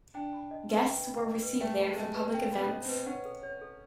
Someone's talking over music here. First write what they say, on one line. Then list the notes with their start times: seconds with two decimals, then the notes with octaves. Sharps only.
Guests were received there for public events.
0.14 D4 G5
0.33 B5
0.51 D#5
0.70 B4
0.88 G5
1.05 B5
1.24 D#5
1.42 B4
1.60 A3 G5
1.79 B5
1.89 G#3
1.97 A3 D#5
2.15 B4
2.34 G5
2.52 B5
2.58 B3
2.71 D#5
2.82 C4
2.89 B4
3.06 C#4 F#5
3.25 A4
3.43 C#5
3.62 A4